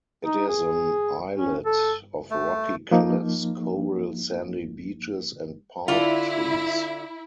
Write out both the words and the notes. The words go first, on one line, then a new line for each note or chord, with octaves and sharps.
It is an islet of rocky cliffs, coral sandy beaches, and palm trees.
D#4
G#4
C#4
A4
A3
F3 A#3 D#4
D3 E4 F4